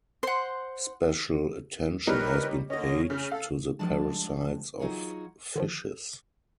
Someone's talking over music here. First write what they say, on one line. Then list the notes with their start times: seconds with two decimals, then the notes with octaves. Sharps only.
Special attention has been paid to the parasites of fishes.
0.23 C5 F#5 C6
2.07 G3 C#4 D#4 A#4 B4
2.70 D#2 D3 C#4 D#5
3.10 C#3 C#4
3.32 A4 F5
3.79 F3 G3 G#3 D4 A5
4.79 F#3 D#4 F4 F#4 G#4 C#5
5.56 D3 D#3 F3